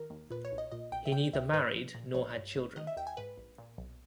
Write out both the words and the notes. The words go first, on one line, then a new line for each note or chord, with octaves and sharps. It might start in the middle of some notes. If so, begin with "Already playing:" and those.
He neither married nor had children.
Already playing: D#3 A#4
D#2
A#2 B4
C#5
B1
D#5
A#2 D#5
B1 G5
E5
C#3 G5
C#2 E5
G#2 B4
A#1
A#2
A#1 C#5
G2
G#1
D#3 D#5
E5
D#2 G5
G#5
G#2 B4
A#1
A#2
B1